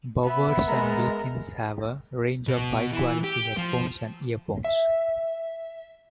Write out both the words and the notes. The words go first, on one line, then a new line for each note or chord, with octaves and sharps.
Bowers and Wilkins have a range of high quality headphones and earphones.
B3 E5 B5
G#3 A#4 A#5
B2
E3
G4
F3
E5